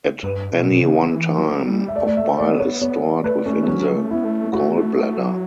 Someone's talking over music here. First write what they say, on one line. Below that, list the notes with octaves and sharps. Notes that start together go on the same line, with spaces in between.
At any one time, of bile is stored within the gallbladder.
G2 B4
B2
B2
C#3
E3
F#3
G3
E5
A3 D5
D5
E5
A3
D5
B3
C#5
B3 C#5
A3 B4
A3 C#4
F#3 C#4
A3
B3 E4
A3
A3 F#4
A3
A3
F#3